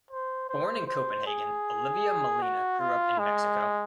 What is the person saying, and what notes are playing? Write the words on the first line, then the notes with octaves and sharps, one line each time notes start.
Born in Copenhagen, Olivia Molina grew up in Mexico.
C5
C5
C5
G#4
F#4
F4
G#3